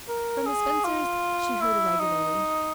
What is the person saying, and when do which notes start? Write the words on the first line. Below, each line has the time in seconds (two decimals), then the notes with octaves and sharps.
From the Spencers she heard irregularly.
0.08 A#4
0.46 G#4
0.85 F4
1.61 E4
1.99 D#4